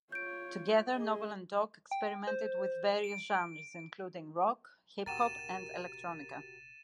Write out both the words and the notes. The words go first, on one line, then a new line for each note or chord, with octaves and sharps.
Together, Nobel and Doc experimented with various genres including rock, hip-hop, and electronica.
F4 C#5 G6 D7
G#4 D#5
G5
C5
D7
D#1 C3 F#4 G4 A#4 A6 D#7 E7